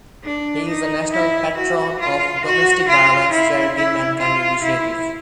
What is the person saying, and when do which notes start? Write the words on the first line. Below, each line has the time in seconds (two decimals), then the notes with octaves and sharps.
He is a national patron of domestic violence charity Mankind Initiative.
0.24 D4
0.68 D#4
1.12 E4
1.57 F#4
2.00 F4
2.44 F#4
2.88 F4
3.32 E4
3.76 E4
4.20 F4
4.63 E4